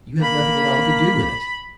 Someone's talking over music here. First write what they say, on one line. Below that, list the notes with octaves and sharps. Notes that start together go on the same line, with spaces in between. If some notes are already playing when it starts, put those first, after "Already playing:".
"You have nothing at all to do with it."
A#3 B5